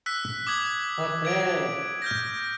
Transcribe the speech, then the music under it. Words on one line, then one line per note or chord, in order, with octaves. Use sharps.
The Fig.
E6 F#6 B6
D6 D#6 G#6 F#7
G#6 D7
F6 G6 A#6